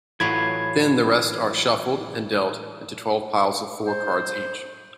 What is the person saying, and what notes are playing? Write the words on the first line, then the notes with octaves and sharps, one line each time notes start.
Then the rest are shuffled and dealt into twelve piles of four cards each.
A2 E3 F#3 F4 C#5 D#5 B5 G#6
C5